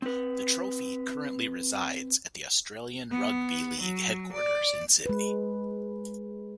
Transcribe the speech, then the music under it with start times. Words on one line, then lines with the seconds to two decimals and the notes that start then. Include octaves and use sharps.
The trophy currently resides at the Australian Rugby League headquarters in Sydney.
0.02 C4 B4
3.11 B3
3.81 F#3
4.33 D5
5.06 G#3 B4